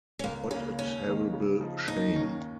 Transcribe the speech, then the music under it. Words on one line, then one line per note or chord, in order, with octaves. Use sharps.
What a terrible shame!
C#4
C#2 A#3
C#3 A#3 C#4
D#2 C#4
D#3 A#3 D#4
C#3
F3 G#3 D#4
D#2 D#4
D#3 A#3 C#4